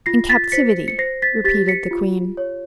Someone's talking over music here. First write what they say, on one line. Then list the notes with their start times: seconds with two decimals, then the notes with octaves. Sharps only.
"In captivity," repeated the queen.
0.06 F4 A#6 C7
0.29 A6 B6
0.52 C5 B6 C#7
0.88 C#7
0.98 C5 A#6 C7
1.22 A6 B6
1.44 G4 A6 B6
1.68 B6 C#7
1.91 F4
2.37 C#5